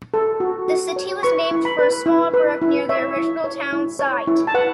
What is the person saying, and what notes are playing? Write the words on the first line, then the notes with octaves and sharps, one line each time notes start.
The city was named for a small brook near the original town site.
A4
F#4
F#4
C#5
B4 C#6
E4
B5
B4
E4
B4
E4
C#5 E5
E4
C#5
E4
C#5
E4
A5
B4 F#5